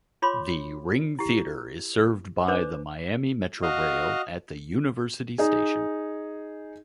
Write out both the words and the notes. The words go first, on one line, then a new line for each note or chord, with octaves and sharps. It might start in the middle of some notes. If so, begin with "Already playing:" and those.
The Ring Theatre is served by the Miami Metrorail at the University Station.
F4 C#5 B5 C6 D6
E4 G4
D4 B4 C5 D5 D6
F#4 D#5 F5
D#4 G#4